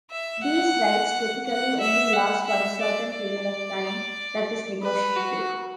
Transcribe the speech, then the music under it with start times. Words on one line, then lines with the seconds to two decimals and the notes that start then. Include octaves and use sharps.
These rights typically only last for a certain period of time that is negotiated.
0.11 E5
0.44 F#5
1.46 F#5
1.80 E5
2.13 F#5
2.47 E5
2.81 D5
3.15 D5
4.82 B4
5.16 F#4